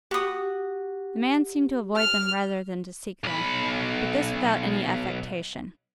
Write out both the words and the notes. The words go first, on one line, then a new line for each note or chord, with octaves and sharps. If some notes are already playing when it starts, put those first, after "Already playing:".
The man seemed to avoid them rather than to seek them, but this without any affectation.
F#4 G4 D#6
F6
B1 B5